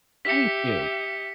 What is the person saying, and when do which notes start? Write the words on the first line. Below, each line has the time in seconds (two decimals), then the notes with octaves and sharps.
Thank you.
0.25 G4 E5 B6 C#7